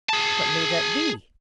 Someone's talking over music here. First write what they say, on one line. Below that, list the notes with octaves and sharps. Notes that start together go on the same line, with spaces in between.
What may that be?
G#4 A5